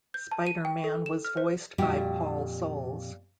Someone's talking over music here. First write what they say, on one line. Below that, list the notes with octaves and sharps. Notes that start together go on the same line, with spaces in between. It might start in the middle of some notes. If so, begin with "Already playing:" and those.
Spider-Man was voiced by Paul Soles.
G6
A5
D#7
G5
A4
E7
F6
C5
F2 A#2 G3 F#4 G4